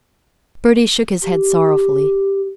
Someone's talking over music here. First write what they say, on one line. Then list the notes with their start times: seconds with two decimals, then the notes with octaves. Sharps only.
Bertie shook his head sorrowfully.
1.22 G4